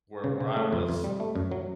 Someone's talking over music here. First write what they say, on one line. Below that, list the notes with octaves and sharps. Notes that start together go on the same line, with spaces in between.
where where I was,
C#3
C#3
A3
F2
F2
G3
A3
F#2
F#3